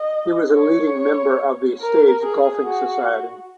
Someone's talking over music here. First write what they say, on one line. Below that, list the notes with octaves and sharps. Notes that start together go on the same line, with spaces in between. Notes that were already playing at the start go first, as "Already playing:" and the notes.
He was a leading member of The Stage Golfing Society.
Already playing: D#5
C#5
A#4
G#4
F#4